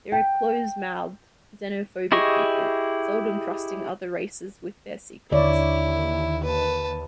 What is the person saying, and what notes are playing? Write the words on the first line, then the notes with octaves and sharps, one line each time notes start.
They're a closed-mouthed, xenophobic people, seldom trusting other races with their secrets.
G5
E4 G4 G#4 D#5 C#6
D#2 D3 E4 C#5 D5
B4 A5